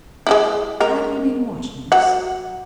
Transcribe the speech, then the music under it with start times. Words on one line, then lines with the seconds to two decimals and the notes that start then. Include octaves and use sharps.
Had he been watching us?
0.27 G#3 D#4 E4
0.80 G#3 A#4
1.92 F#3 F#5